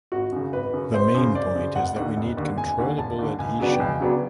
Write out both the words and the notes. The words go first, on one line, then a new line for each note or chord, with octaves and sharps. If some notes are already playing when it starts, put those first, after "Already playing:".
The main point is that we need controllable adhesion.
G#1 F#4
F#2 C#3
G#1 B4
F#2 C#3
G#1 C5
F#2 C#3
G#1 D5
F#2 C#3
F1 F#5
D#2 D3
F1
D#2 D3
F1 G#5
D#2 D3
F1 A5
D#2 D3
C#2 G#5
C#3 F#3 B3 D4
G5
C#2 G#5
C#3 F#3 B3 D4